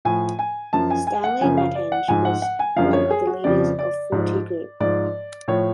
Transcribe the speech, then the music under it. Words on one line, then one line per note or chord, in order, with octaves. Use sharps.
Stanley Mathenge was one of the leaders of Forty Group.
A2 F3 G#5
G#5
F#2 F3 A5
G#5
G#5
F#5
F#2 C#3 F3 G#5
F5
D5
F#5
G#2 F3 G#5
F#5
F#5
G#5
F#2 D3 F3 F5
C#5
G#4
F#4
F2 C#3 F3 D5
D5
G#2 F3
G#2 F3 D5
A2 F3 C#5